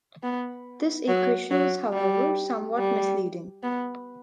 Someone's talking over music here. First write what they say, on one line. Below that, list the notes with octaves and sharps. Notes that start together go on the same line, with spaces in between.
This equation is however somewhat misleading.
B3
F#3
F#3
G3
G3
B3